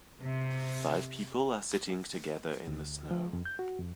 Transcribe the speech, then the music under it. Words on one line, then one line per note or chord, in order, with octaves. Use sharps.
Five people are sitting together in the snow.
C3
D2
F3
F2
G6
F#4
F2